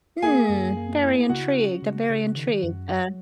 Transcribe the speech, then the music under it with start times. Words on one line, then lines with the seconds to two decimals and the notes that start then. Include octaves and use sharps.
Hmm, very intrigued, I'm very intrigued, uh
0.22 A#3 G#4 G#5
0.49 F#2
0.77 A#3
1.03 E4
1.29 C#3 F#4 F#5
1.56 C#4
1.83 C#3
2.09 C#3
2.36 D#3
2.63 F#2
2.89 F#3